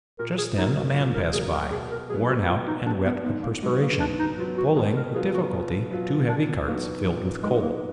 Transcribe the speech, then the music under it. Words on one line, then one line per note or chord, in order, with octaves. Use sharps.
Just then a man passed by, worn out and wet with perspiration, pulling, with difficulty, two heavy carts filled with coal.
A#2 A#4
G#4
F#3 D#4
A#3
F#4
A#2
A#4
F#3 A#3 G#4
A#4
B2 G#4
A#4
F#3 B3 G#4
F#4
B2 F4
D#4
F#3 B3 D4
B3
G#2 B3
A#3
F#3 G#3 B3
A#3
G#2 D4
D#4
F#3 B3 F4
F#4
B2 G#4
A#4
F#3 B3 F4 G#4
F#4
B2 F4
F#3 B3 F4
A#2 D4
B3
F#3 A#3 B3 D#4 F#4
A#2 F3
F#3
F#3 G#3 B3 D#4 F#4
A#3